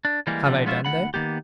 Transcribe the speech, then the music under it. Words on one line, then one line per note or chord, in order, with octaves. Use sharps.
Have I done that?
D4
E3 G3 G#3 A#3
B2 D3 F3 G3
F3 G#3 B3 C#4 F4 E5
D2 A3 F#5 B5
D#3 A#3 B3 G4